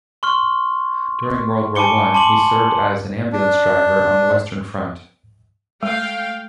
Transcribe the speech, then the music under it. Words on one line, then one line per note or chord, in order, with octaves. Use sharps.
During World War One, he served as an ambulance driver on the Western Front.
C6 C#6 F6
G#5 A5 B5 D6 C#7 G7
A5 C6 D6 F#7
D4
G#3 A3 F5 G5